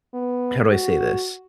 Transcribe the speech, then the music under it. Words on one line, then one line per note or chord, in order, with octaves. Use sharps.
how do I say this?
B3
F#4